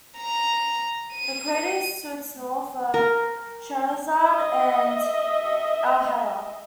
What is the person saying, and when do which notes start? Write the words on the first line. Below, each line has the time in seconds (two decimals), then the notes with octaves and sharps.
The craters to its north are Shahrazad, and Al-Haddar.
0.17 A#5
1.14 D#7
2.94 A#4
4.22 D#5 E5